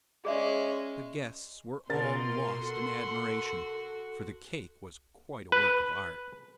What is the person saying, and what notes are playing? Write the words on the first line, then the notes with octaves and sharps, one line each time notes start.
The guests were all lost in admiration, for the cake was quite a work of art.
G#3 C#4 G#4 D5 E5
B2 F4 A#4 C6 A6
F#4 A4
B4